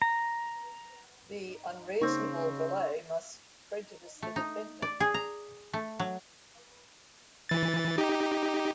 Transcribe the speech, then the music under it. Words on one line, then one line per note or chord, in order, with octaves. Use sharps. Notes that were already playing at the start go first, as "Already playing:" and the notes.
The unreasonable delay must prejudice the defendant.
A#5
C#3 A#3 C4 D#4 C5 C#6
A3
D#4
D5
G#4
A#5
A3
F#3
E3 A6
D#4 G4